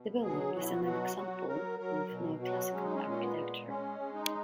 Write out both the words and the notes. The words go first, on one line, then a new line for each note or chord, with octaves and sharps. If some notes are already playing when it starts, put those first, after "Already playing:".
The building is an example of Neoclassical architecture.
Already playing: B2
F#3 G#4
B2 F#4
E4
F#4
F#3 F#4
F#3 F#4
F#3 A#4
F#3 A#4
B2
F#3 F#4
G#3 C#4
D#4
C#4
A#2
C#4
B3
G#3
G#3 C#4
G#3
D#4